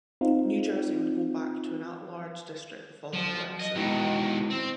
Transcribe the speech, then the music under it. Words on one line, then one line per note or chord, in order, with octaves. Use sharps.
New Jersey would go back to an at-large district the following election.
C4 D#4 F4
F3 F#3
D#5
B2 D#3 G#3 E4 F#4
C4